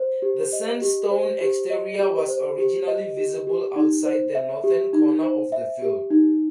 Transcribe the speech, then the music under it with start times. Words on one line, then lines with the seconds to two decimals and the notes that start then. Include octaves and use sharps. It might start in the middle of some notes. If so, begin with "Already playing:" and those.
The sandstone exterior was originally visible outside the northern corner of the field.
Already playing: C5
0.22 G4
0.53 D#5
0.82 G4
1.11 C5
1.41 G4
1.70 D#5
1.99 G4
2.28 C5
2.58 G4
2.88 D#5
3.17 G4
3.47 G4
3.76 D#4
4.05 C5
4.35 E5
4.64 G4
4.93 D#4
5.23 C5
5.52 E5
5.82 G4
6.11 D#4